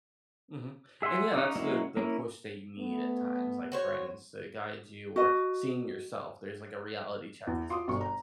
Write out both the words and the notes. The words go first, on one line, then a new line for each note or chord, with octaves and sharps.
Mhm. And, yeah, that's the the push that you need at times, like, friends to guide you or seeing yourself. There's, like, a reality check in some sense.
G#4 E5 F#5 G#5 C6
C#4 D#4 D5
F#3 G#3 A#3 C#4 E4
A#3 C#4 E4
A3 B3
F#4 C5 C#5
F#4 D#5
E2
F4 C6 D6 D#6
G1 B2 C#6
A#5